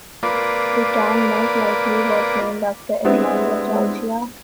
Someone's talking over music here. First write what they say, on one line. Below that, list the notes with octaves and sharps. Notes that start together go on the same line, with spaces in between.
The town most likely was named after Atlanta, Georgia.
A#3 F4 B4 D5
G3 G#3 B3 C4 D4 E4